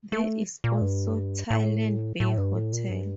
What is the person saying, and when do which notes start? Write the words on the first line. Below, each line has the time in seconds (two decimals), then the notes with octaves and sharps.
There is also Talland Bay Hotel.
0.12 A3
0.64 A#2
0.82 G2
1.50 A2
2.20 A2
2.38 G2
2.54 A2
2.73 A#2
2.90 G2